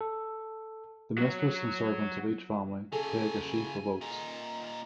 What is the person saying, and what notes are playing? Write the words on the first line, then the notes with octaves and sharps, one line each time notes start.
The mistress and servants of each family take a sheaf of oats.
A4
F#3 F#4
C#3 F#3 G#4 A4 G#5
A#2 D#4